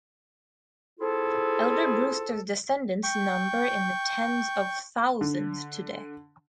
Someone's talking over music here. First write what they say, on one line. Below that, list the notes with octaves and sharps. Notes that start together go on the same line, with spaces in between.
Elder Brewster's descendants number in the tens of thousands today.
C4 E4 F4 G#4 A4
G5 C#6
D3